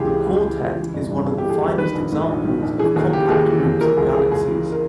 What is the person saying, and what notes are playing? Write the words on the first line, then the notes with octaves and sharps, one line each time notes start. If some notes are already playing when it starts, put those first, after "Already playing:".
The quartet is one of the finest examples of compact groups of galaxies.
Already playing: C#2 E3 G4 G#4
C#3
C#2
E3
C#2
E3
G1
G2
G1 G#4
G4
E3
G#4
G1
D#3 B4
A#1
G#2
A#1
D#3
A#1
E3 G#4
D#2 G#4
C#3 G4
D#2 G#4
E3
D#2
E3 A#4
C#2 G#4
C#3 G#4
C#2 G#4
E3
A#4